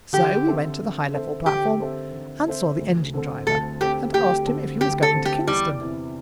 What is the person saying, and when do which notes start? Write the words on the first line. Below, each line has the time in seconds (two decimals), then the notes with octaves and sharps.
So we went to the high-level platform, and saw the engine-driver, and asked him if he was going to Kingston.
0.13 D3 G4
0.47 C4 A4 C5 E5
0.80 D3
1.14 C4 A4 C5 E5
1.46 D3 G4
1.80 C4 A4 C5 E5
2.13 D3
2.47 C4 A4 C5 E5
2.81 D2
3.14 D3 C4 A4
3.47 D2 A4
3.81 D3 C4 G4 A4
4.13 D2 G4
4.47 D3 C4 A4
4.81 D2 G4
5.03 A4
5.14 D3 C4 A4
5.25 G4
5.47 E2 G3
5.81 C3 E3